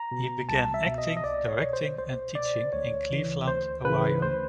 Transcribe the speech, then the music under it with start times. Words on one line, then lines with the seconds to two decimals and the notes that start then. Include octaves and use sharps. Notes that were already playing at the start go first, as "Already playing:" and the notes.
He began acting, directing and teaching in Cleveland, Ohio.
Already playing: A#5
0.11 B2
0.49 C2 A5
0.74 E5
0.86 B2
0.98 D#5
1.17 D#5
1.23 C2 D5
1.48 C#5
1.61 B2
1.73 C5
1.98 C2 C5
2.35 B2 D5
2.73 D2 C#5
3.10 C#3 E3
3.47 D2 C5
3.85 C#3 E3 B4
4.22 D2 C5